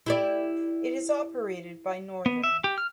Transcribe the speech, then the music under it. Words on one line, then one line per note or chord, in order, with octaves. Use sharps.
It is operated by Northern.
E4 G4 D5
B3
E5
G4
F6